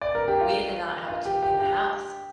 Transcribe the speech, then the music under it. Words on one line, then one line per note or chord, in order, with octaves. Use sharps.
we did not have a TV in the house.
D5
A#4
G4
F4
F4
G4
G4
G4